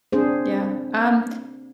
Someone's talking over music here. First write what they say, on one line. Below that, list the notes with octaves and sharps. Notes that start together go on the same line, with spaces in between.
Yeah, um,
C4 D4 G#4 C5